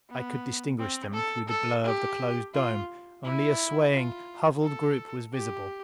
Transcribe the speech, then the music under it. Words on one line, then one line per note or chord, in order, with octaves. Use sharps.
I could distinguish them through the blur of the closed dome--only a swaying, huddled group was visible.
B3
C4
A4
A4
G4
F4
E4
F4
A4
G4